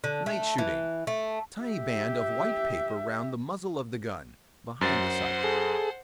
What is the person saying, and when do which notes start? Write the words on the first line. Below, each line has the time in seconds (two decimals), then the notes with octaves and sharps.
Night-shooting.--Tie a band of white paper round the muzzle of the gun, behind the sight.
0.04 D3
0.26 A3
0.58 E3
1.07 A3
1.62 G4 E5
4.81 F#2 C5 F#5 A6
5.44 G#4 A4